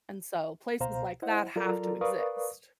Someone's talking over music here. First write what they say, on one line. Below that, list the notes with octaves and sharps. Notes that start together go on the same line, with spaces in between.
and so places like that have to exist.
C#2 B2 C5 F5 A#5
E4 C5 D#5 F#5
F#3 F4 A4 A#4 D5 A#5
A#4 B4 D5 F5 C#6 D#6